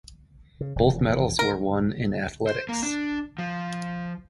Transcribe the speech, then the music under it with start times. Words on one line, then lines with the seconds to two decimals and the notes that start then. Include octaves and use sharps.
Both medals were won in athletics.
0.61 C#3
0.76 E1 F2
1.39 A#4
2.47 C5
2.69 A#3
2.83 D4
3.38 F3